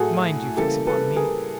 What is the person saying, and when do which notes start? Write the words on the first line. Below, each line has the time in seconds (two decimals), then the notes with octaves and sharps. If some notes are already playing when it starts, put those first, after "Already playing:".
Mind you fix upon me!
Already playing: A2 F#3 A3 F#4 G#4 A4
0.57 C#3 E3 G3 A#3 G4 A4
0.87 A4 B4
1.16 G#4 A#4